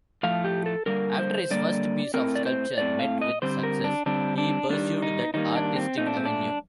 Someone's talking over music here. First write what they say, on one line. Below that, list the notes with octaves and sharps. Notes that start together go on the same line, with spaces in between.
After his first piece of sculpture met with success, he pursued that artistic avenue.
A2 F3 A3 F5
G4
A4
D3 G3 A#3 A#4
C5
D3 G3 A#3 D5
A2 A3 C4 A#4
D5
C5
A2 A3 C4 D5
F5
D#5
D3 G3 C4 C5
A#4
D4
D3 G3 C4 D4
D4
D#3 G3 A#3 D4
D#4
D#3 G3 A#3 D#4
D4
C4
A#2 A3 C4 D#4
D4
C4
D4